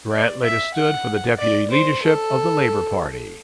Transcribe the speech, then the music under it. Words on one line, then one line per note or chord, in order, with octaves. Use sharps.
Grant later stood for the deputy leadership of the Labour Party.
D5
E5
F#5
D5
C5
A4